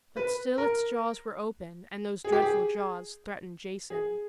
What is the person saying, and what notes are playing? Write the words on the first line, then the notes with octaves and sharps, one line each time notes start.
But still its jaws were open, and those dreadful jaws threatened Jason.
B4
A#4
G#4
G4
G#4
G#4